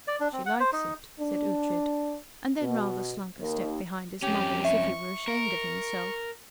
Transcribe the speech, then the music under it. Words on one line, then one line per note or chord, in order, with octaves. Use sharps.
"She likes it," said Ughtred, and then rather slunk a step behind his mother, as if he were ashamed of himself.
D5
D4
C4
F#5
C5
D#4
D4
B2
D#2
F2 C#4 G4
E5 C#6
A#4